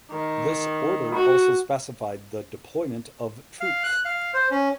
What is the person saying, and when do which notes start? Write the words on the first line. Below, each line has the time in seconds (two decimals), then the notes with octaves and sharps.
This order also specified the deployment of troops.
0.11 D#3
1.14 F#4
3.61 F5
3.83 F#6
4.05 F5
4.34 C5
4.51 C#4